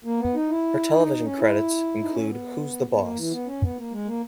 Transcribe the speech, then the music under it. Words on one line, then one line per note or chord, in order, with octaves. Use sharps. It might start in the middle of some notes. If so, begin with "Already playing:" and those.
Her television credits include Who's the Boss?
A#3
B3
D#4
E4
D#4
C#4
E4
D#4
C#4
B3
B3
A#3
E3
B3
C#4
B3
A#3
G#3
A#3